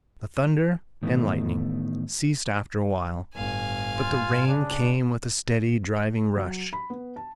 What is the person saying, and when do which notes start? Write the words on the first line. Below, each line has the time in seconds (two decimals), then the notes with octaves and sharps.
The thunder and lightning ceased after a while, but the rain came with a steady, driving rush.
1.03 A2 D#3 E3 A3 B3 D#4
3.35 G1 A2 F5 G#5
3.97 F4
4.47 C#3 D4
6.36 F#3
6.73 B5
6.90 B3
7.16 A5